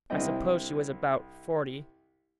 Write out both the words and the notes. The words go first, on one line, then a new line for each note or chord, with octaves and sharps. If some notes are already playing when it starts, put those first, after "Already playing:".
I suppose she was about forty.
C2 C4 D4 E4 D#5 G5